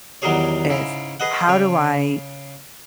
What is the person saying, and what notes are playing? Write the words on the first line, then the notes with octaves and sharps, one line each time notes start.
is how do I
E2 D#3 F#3 G3 G#4 C#5
G#2 C#3 E4
G#4 B4 D#5 F#5
C#3 C#5